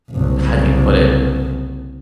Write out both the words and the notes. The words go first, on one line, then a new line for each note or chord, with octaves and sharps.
how do you put it?
F#1 C2